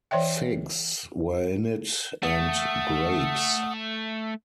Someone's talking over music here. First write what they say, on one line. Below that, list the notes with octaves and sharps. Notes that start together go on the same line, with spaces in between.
Figs were in it and grapes.
E3 C#5 D5 E5 G5
A3 F#5 D#6